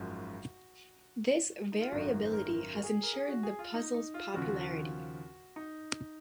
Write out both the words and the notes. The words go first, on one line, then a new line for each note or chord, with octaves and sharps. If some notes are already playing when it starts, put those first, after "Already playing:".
This variability has ensured the puzzle's popularity.
Already playing: G#1 F#2 F3 G#3 F#4
D#4
F4
G#1 F#2 D#3 F#4
C5
A#4
A#4
F#4
G#4
A#4
G#4
F#4
G#4
F4
D#4
D#4
F4
D#2 C#3 F3 F#4
D#4